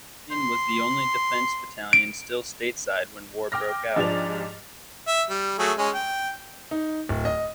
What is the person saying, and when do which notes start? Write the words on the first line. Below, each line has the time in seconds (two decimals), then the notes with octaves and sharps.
The battalion was the only defense battalion still stateside when war broke out.
0.31 C6
1.93 D7
3.52 G5 D6 F6 A#6
3.96 G#2 F3 D4 G4 A6 F7
5.07 E5
5.30 G3
5.59 F#3 A3 G#4
5.78 G#3 C#4
5.94 G5
6.71 D#4
7.09 D1
7.25 D#5